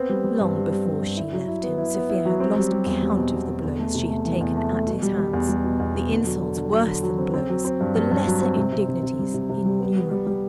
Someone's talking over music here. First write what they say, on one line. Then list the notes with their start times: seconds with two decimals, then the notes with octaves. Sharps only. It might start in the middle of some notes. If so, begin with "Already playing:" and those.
Long before she left him Sofia had lost count of the blows she had taken at his hands, the insults worse than blows, the lesser indignities innumerable.
Already playing: B3 C4
0.09 G3
0.24 G3
0.40 G2
0.55 G3
0.71 G3
0.86 G2
1.01 G2
1.17 E4
1.33 F#3
1.48 E4
1.63 B3
1.78 E4
1.95 B3
2.10 E4
2.25 F#3
2.40 C4
2.56 G3
2.71 G3
2.86 E2
3.02 G3
3.17 B2
3.33 B2
3.48 B2
3.64 E2
3.79 A3
3.95 C3
4.10 A3
4.25 E3
4.41 E2
4.57 A3
4.72 A3
4.87 B2
5.02 G3
5.18 G3
5.33 E2
5.49 G3
5.64 B2
5.80 E2
5.95 B2
6.10 D3
6.26 F#3
6.41 D3
6.57 D3
6.72 F#3
6.87 D3
7.03 F#3
7.18 C4
7.34 C4
7.49 F#3
7.65 C4
7.81 G2
7.96 G2
8.11 G2
8.27 F#3
8.42 C4
8.57 C3
8.73 C3
8.88 C3
9.03 C3
9.19 G3
9.34 C3
9.49 C3
9.65 G3
9.80 B3
9.96 B3
10.11 G3
10.27 G3